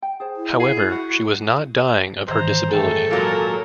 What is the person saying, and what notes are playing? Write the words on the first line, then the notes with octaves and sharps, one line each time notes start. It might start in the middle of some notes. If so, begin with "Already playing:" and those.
However, she was not dying of her disability.
G5
G#4 C5 A5
E4
G#4 E5 F#5
F#4
G#2 D#3 E3 C5 A#5
G#3 A3 A4 G5 G#5 A#5
A#2 F#3 G#3 A#4